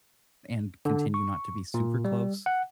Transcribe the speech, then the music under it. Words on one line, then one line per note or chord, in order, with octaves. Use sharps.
and continue not to be super close.
D3
C#6
A#2
G3
F#5